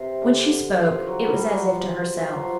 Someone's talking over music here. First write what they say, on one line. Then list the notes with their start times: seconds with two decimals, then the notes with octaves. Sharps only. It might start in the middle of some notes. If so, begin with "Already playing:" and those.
When she spoke, it was as if to herself.
Already playing: C3
0.22 D3
0.79 F3
1.07 F#3
1.21 G3
1.36 G3
1.50 F#3
1.64 F3
2.22 F3
2.32 F#3
2.42 F3